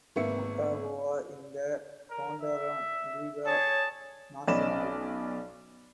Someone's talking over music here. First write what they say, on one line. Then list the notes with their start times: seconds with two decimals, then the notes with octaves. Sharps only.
Motagua in the Honduran Liga Nacional.
0.16 G#1 A#3 B3 E5 C#7
2.10 A#4
2.41 E5
3.47 G#4 C#5 A5
4.48 B1 C#4 D5 D#5 B5 E7